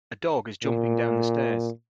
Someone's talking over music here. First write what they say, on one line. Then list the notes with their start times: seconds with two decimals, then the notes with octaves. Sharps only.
A dog is jumping down the stairs.
0.64 A#2